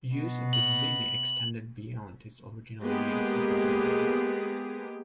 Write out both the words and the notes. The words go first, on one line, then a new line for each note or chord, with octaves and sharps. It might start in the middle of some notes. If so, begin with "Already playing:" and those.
Use of the Vimy extended beyond its original use as a bomber.
B2
F#7
G#3 A#3 B3 G4 G#4